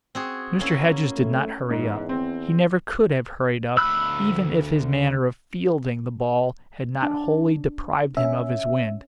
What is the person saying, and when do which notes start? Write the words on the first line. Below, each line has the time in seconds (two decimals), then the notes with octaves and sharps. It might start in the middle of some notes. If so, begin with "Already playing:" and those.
Mr. Hedges did not hurry up; he never could have hurried up, even if his manner of "fielding" the ball had not wholly deprived him of his wind.
0.15 C4 F#4 G#4
0.60 A#3 C#4 E4
1.17 A3
1.70 E2 G#2
2.09 C4
3.77 D2 B5 E6 F#6
7.03 D4
8.17 C#4 E5